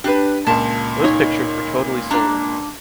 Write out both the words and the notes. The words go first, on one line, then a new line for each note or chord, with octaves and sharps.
Those pictures were totally sold.
D4 G4 B4
C#2 A#2 A5
D#4 C#5
A#3 D4 A#5